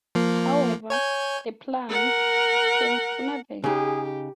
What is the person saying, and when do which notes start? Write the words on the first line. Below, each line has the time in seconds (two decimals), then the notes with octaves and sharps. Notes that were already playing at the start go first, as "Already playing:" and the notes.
However, the plans came to nothing.
0.15 F3 A#3
0.90 C#5 G#5 G6
1.89 A#4 F#5
3.64 C#3 D#4 G4 G#4